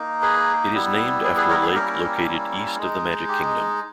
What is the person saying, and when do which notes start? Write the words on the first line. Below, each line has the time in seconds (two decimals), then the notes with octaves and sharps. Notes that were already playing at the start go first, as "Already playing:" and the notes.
It is named after a lake located east of the Magic Kingdom.
Already playing: A#3 D#4
0.22 G#4 B4
0.73 G3 B3 E4
1.24 G#4 B4
1.37 G#4 B4
1.49 A#4 C#5
1.62 G#4 B4
1.75 G3 A#3 C#4 E4 G4 A#4
2.78 G#3 D#4
3.29 G4